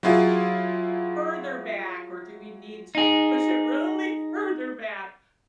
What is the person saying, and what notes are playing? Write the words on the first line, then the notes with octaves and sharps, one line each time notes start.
further back, or do we need to push it really further back?"
F#3 E4 F4 G#4
D#4 G#4